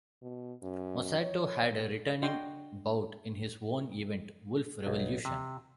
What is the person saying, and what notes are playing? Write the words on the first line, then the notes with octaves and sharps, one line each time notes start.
Masato had a returning bout in his own event "Wolf Revolution".
B2
F#2
C#5
D4 F#4 D#5 G5 C6
B1
C3